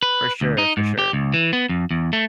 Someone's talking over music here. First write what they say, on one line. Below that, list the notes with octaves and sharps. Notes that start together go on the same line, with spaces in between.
For sure, for sure.
B4
D2
D#4
G#2
G4
C#2
E3
B3
F2
E2
A3